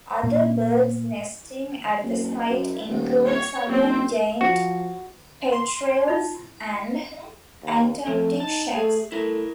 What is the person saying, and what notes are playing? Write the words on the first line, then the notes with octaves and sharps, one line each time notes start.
Other birds nesting at the site include southern giant petrels and Antarctic shags.
A#2
F#1
F#2
D#1
C#5
F#1 C4
F3 F#4
C6
D#4 F4
D#2
F3 A3 C4
D#4 A5
A3 G#4
A3 E4 A#4